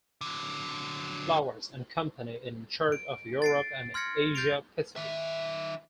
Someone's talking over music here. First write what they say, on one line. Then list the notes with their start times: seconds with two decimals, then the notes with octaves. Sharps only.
Flowers and Company in charge of Europe and Asia Pacific.
0.21 D3 F#3
2.92 D7
3.42 A6 C7 D7
3.94 C6 F6 G#6 A#6 C#7
4.35 G6 A6 C7 D7 F7
4.96 D#3 E5